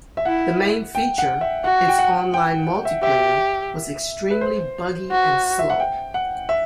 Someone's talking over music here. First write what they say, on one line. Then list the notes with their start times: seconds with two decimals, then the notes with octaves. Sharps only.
The main feature, its online multiplayer, was extremely buggy and slow.
0.17 E5
0.25 E4 F#5
0.95 G5
1.18 F#5
1.41 E5
1.64 F#4 F#5
1.88 G5
1.99 F#5
2.34 G5
2.85 E5
3.03 G4 E5
4.30 B4
4.41 C5
5.11 F#4
5.59 E5
5.70 F#5
5.80 G5
6.14 F#5
6.49 E5